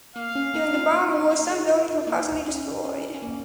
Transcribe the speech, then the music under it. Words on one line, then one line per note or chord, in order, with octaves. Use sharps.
During the bomb war some buildings were partially destroyed.
A#3 F5
C#4
A#3 D#4
C#4 F4
A#3 D#4
C#4
A#3 D#4
D#4 G#4
F4 A#4
F4
A#3 D#4
C#4
C#4
C#4
A#3